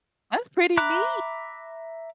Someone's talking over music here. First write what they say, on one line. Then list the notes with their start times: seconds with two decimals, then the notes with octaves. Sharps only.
That's pretty neat.
0.77 E5 A#5 B5 D6 F#6